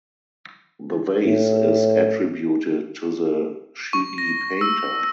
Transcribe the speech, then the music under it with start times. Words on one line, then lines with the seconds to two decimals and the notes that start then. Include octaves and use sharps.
The vase is attributed to the Chigi Painter.
1.26 A2
3.93 C#6
4.18 A#6
4.61 E6